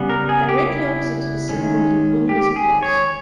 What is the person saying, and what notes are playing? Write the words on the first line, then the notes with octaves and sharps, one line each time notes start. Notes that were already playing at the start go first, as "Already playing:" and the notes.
Directly opposite to the sun was a luminous cross.
Already playing: C#3 G3 B3
A#4
G#4
G4
E4
D#3 G#3 C#4
G4
G#4
C#5